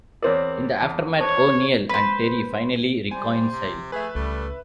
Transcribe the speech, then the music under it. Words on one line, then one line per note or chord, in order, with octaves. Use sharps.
In the aftermath, O'Neill and Terry finally reconcile.
E2 C4 A#4 C#5 D5
E2 A5
A4 C5 C#5 A5
B4 C5
G3 C5 G#5
C3
F3
A3 G#4 B4 E5
C#2 G3 A3